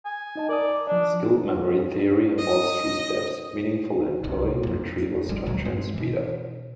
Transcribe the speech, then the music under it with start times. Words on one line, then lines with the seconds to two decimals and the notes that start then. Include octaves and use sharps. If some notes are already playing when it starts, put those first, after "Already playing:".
Skilled memory theory involves three steps: meaningful encoding, retrieval structure, and speed-up.
0.05 G#5
0.36 D#4 D#5 A5
0.49 A#4 D5 D#6
0.87 F3 D4 D5
2.39 D#5
4.24 C2 C3
4.63 F2 A#2
5.29 A1 G3 G#3
5.46 D#1 D2 A#2 F#3
5.65 G2 G#3 C4
5.94 B2 E3